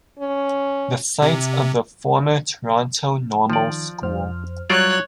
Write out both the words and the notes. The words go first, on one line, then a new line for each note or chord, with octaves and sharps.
The site of the former Toronto Normal School.
C#4
C3
D#3 F3 D5
F2 C5 F6
F#3 G3 F4 C#5 D5 F#6